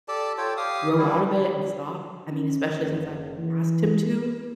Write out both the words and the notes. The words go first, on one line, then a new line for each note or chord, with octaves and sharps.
grow out of it and stop. I mean especially since I've asked him to,
G4 A4 D5 A5
F4 A4 C#5 G5
G4 F5 D#6
G3 E4
C#4
F#1
E3